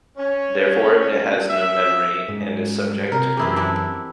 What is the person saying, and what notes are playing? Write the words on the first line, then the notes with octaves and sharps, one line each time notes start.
Therefore, it has no "memory" and is subject to creep.
C#4
E5
G#2
C3 A#4
F#2 E3 C4 E4 G4 G#4
D4 E4